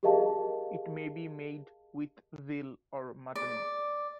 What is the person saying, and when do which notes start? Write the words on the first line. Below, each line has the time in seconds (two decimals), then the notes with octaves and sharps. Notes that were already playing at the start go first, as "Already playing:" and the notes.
It may be made with veal or mutton.
0.03 G4 G#4 A#4 D#5 F5 A5
3.36 D5